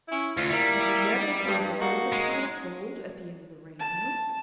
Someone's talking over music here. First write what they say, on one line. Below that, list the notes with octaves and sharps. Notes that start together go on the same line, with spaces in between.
"Have you never heard that there is a pot of gold at the end of the rainbow?..."
C#4 E4
D2 F4
G3 A#3 E4
G2
A#3 D#4 F#4
G#3
A5